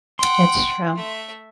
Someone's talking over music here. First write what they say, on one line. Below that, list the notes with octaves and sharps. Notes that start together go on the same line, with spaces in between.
It's true.
F#5 G5 C6
A3 E5